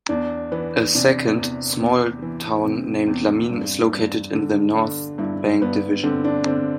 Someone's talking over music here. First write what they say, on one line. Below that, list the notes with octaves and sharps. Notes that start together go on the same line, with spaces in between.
A second, small town named Lamin is located in the North Bank Division.
E2 D4
E3 B3
C3 D4
E2
E2
E3
C3
E2 C4
G2
G2
D3
D3
G2 E4
G2 B3
D3 C4
D4
D3 C4